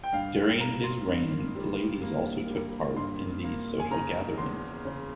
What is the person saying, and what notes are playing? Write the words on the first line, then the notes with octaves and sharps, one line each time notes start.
During his reign, ladies also took part in these social gatherings.
G5
G2 F5
A#3 A#5
C6
G2
G3
A#3
G3
G2 C6
A#3
G#5
C#3 A#5
E2 C6
C#3